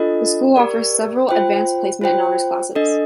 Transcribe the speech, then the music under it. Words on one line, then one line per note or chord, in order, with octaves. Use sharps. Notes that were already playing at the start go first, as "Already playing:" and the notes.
The school offers several Advanced Placement and Honors classes.
Already playing: D4 F4 A4 D#5
G4 A#4 D5
F4 C5 G5
F4 C5 G5
D4 A4 D#5